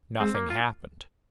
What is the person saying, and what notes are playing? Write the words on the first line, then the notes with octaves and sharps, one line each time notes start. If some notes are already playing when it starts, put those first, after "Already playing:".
Nothing happened.
G#3 C4
A#3
F4